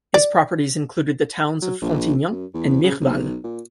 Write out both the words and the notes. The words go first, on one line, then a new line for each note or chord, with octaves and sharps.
His properties included the towns of Frontignan and Mireval.
D5
F#3
A#1
F#2
E2
C#3
B1
A#2